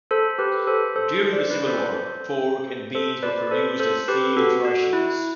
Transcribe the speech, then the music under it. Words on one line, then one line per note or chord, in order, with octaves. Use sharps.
During the Civil War, pork and beans were produced as field rations.
A4 C5
G4 B4
A4 C5
A4 C5
D5
C5
B4 D5
A4 C5
A4 C5
B4 D5
A4 C5
A4 C5
G4 B4
F#4 A4
F#4
E4